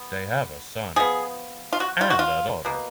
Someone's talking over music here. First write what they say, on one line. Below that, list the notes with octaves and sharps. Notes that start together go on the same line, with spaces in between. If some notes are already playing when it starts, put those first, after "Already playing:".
They have a son and a daughter.
Already playing: B3
F3 B3 G#4
F4
F#4
F4
F#4
F4
B2 A#3